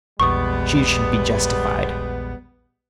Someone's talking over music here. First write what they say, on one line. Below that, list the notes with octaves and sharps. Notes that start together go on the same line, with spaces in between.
She should be justified.
A#1 E2 G3 G#3 B3 C#6 D#6